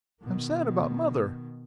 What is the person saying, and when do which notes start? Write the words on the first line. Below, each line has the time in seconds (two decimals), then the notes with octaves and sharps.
"I am sad about mother."
0.23 B2 D#3